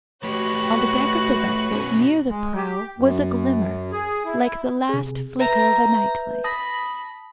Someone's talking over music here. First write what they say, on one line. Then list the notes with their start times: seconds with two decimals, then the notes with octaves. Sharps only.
On the deck of the vessel, near the prow, was a glimmer, like the last flicker of a night-light.
0.23 A2 F#4 G4 B4 C#5 F#6
1.72 B2 C#4
2.30 G#3
2.56 G4
2.98 F#2
3.92 G#4
4.25 E4
4.89 C3 G#4
5.39 B4 E5 A#5 G6
6.44 A5 B5 D#6 A#6